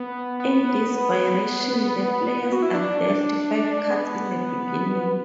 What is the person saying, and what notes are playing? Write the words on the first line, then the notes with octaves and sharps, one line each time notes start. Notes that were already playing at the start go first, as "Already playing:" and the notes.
In this variation the players are dealt five cards in the beginning.
Already playing: B3
B3
F#4
E4
D4
B3